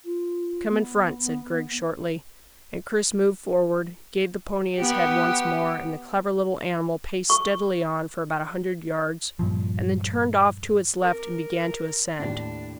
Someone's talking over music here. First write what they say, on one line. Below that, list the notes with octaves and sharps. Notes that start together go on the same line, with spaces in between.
"Come in front," said Griggs shortly, and Chris moved forward, gave the pony his head once more, and the clever little animal paced steadily on for about a hundred yards, and then turned off to its left and began to ascend.
F4
B3
B3 G4
C#6
G2 A#2 F3
A#4 D6
D#2 A2 D4